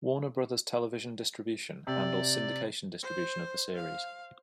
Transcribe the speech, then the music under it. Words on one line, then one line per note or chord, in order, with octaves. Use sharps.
Warner Brothers Television Distribution handles syndication distribution of the series.
C3 D5
C5
F5